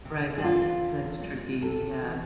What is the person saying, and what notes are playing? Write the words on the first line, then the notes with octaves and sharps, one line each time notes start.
Right, that's that's tricky. Yeah.
C3
G#4
E3 F4
E2
G#3
C3 A4
E3